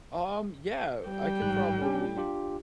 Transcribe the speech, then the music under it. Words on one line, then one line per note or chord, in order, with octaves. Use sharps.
Um, yeah, I could probably
G3 G5
A1 G#2 F#6
C#4 D4 G4
D4 F4 G4